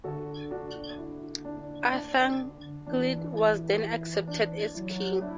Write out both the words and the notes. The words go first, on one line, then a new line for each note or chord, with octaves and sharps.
Athanagild was then accepted as king.
D3 F#4 A4
D4 F#4
E4
D4
D4
E3 D4
E4
E4
D4
F#3 E4
D4 E4